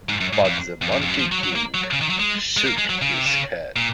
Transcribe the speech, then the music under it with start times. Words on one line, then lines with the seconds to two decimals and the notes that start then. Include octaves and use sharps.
But the Monkey King shook his head.
0.09 G#2
0.21 F#2
0.33 G#2
0.45 F2
0.82 F2
0.92 F#2
1.01 F2
1.10 F#2
1.19 F3
1.32 F#3
1.44 F#3
1.56 A#3
1.74 F#3
1.93 C#3
2.01 D#3
2.10 F#3
2.19 G#3
2.57 G#3
2.66 A#3
2.78 G#3
2.90 F#3
3.02 C#3
3.14 C3
3.26 C#3
3.76 A#2